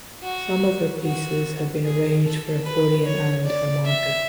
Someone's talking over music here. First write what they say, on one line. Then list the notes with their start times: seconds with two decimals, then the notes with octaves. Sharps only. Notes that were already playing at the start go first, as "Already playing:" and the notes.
Some of her pieces have been arranged for accordion and harmonica.
0.23 F#4
1.03 F#4
1.84 G#4
2.24 A4
2.64 B4
3.05 C#5
3.45 D5
3.86 E5